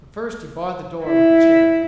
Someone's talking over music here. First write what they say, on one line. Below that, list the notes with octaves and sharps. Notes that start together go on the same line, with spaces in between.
But first he barred the door with a chair.
E4